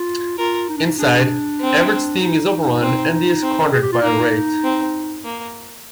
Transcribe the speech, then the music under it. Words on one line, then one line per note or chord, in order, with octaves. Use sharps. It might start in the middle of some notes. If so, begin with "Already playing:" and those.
Inside, Everett's team is overrun and he is cornered by a Wraith.
Already playing: F4
F4 A#4
D#4
D4
D#4
D4 G#4
C4
D#4
C4
C4
A#4
G#4
G4
F4
A#3 D#4
C4
A#3